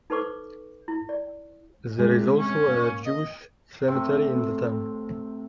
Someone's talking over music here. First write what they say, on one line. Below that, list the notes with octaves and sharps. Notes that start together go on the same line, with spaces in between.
There is also a Jewish cemetery in the town.
D#4 A4 B4 C5 C#6 D6
E4
D5
C3 G#3
C#4
A#3
D#5
A2 C3 C4